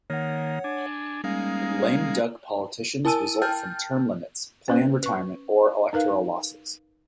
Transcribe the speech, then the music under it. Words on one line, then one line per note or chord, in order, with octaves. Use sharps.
Lame duck politicians result from term limits, planned retirement, or electoral losses.
D#3 A#3 C#5 F#5
D4 G#5
G3 G#3 A#3 C#4 D#4 F5
E4 A#4 G#5 A5 E6 D#7
G5 A5 F6 G6 A6
C#4 B4 C5
B4 C#6
D#4 A#4 B4 F5